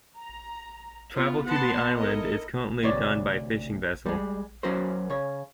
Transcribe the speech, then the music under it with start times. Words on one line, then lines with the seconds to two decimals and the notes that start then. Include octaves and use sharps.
Travel to the island is currently done by fishing vessel.
0.18 A#5
1.13 B3 F4
1.47 B3 F#5 A5 C6
1.96 E4 A4 A#4 D#5
2.83 D2 C3 C#5 D5
4.06 G3 G#3
4.63 F#3 C#4 F#4 A#4 C5
5.10 C#3 C#5